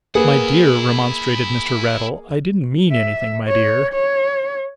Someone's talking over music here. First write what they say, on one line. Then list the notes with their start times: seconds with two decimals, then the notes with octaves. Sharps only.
'My dear,' remonstrated Mr. Raddle, 'I didn't mean anything, my dear.'
0.15 A#3 E4 G#4 B4 F#5
2.92 E5
3.48 C#5
3.94 C#5